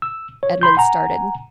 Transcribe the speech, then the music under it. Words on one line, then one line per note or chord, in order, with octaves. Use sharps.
Edmond started.
E6
C#5
B5 C6 G6
F#5 G#5 A#5